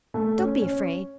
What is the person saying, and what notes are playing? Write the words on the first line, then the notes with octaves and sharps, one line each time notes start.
Don't be afraid.
A3
C#4
C#4